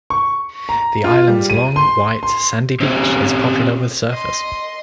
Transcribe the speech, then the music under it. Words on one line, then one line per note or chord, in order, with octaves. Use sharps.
The island's long, white sandy beach is popular with surfers.
C#6
A#5
F4
G3
D#7
C6
C6
C4 C#4 G4 C5 C#5
D#5 C6